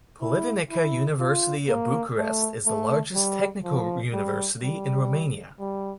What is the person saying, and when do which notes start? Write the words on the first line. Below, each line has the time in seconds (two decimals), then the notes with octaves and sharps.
Politehnica University of Bucharest is the largest technical university in Romania.
0.22 E4
0.71 E4
1.20 F4
1.68 A#3
2.18 A3
2.67 A3
3.15 G3
3.64 F3
4.13 G3
4.62 G3
5.60 G3